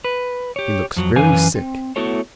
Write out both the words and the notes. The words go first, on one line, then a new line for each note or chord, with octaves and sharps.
He looks very sick.
B4
G4 C#5
F2 F#3
F#2 E3 C#4 B4 F5 G#5
C4
A3 B3 E4 F#4 A4 C#5